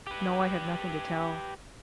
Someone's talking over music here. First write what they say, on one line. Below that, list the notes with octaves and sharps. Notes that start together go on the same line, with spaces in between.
"No, I have nothing to tell."
G4 B4